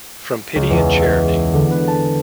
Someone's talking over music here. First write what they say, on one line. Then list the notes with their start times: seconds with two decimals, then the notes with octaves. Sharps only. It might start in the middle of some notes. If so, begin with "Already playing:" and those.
From pity and charity!
0.55 C#2
0.70 E2
1.00 E5
1.28 G#6
1.53 D3
1.70 B4
1.88 A5